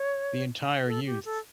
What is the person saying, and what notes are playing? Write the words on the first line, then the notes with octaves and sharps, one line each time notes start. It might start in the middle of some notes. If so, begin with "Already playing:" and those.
the entire youth
Already playing: C#5
A4
G4
A4